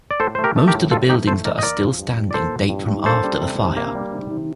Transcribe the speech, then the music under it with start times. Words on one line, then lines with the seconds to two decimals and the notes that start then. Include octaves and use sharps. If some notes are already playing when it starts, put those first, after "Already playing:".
Most of the buildings that are still standing date from after the fire.
0.11 D5
0.20 A2 A4 C5
0.35 A3 C5
0.44 G4 A#4
0.56 A3
0.68 G4 A#4
0.73 A2
0.91 A2 F4 A4
1.09 A3 D#4 G4
1.27 A3 A4 C5
1.45 A2 A#4 D5
1.58 D#5
1.63 A#3 A#4 D5
1.81 F3
1.99 G2
2.16 G2
2.31 D5
2.34 A#3 A4 C5
2.51 F3
2.69 G2
2.87 G2
3.05 A#3 A4 C5
3.23 G3
3.41 C3
3.59 C3
3.77 A#3
3.95 G3
4.12 C3
4.31 C3